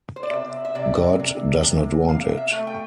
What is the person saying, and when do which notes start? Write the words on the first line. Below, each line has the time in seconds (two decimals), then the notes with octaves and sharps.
God does not want it!
0.16 C5
0.23 D5
0.31 C3 E5
0.65 E5
0.75 C3 D5
1.19 C3
1.64 C3
2.08 C3 F5
2.37 E5
2.52 A3
2.67 G5